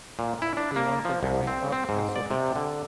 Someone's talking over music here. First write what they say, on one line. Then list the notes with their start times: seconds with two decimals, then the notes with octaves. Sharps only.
He won the German Cup and Super Cup.
0.19 A#2
0.42 E4
0.57 D4
0.76 A#3
1.05 F3
1.23 C2
1.47 C4
1.72 C4
1.89 G#2
2.16 D5
2.31 C3
2.56 D3